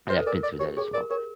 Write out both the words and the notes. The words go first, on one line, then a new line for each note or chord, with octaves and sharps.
and I've been through that as well,
B4 C5
A4
A#4 D5
D5
G4 C#5
G#4 C#5
A#4 D5
A#4 C#5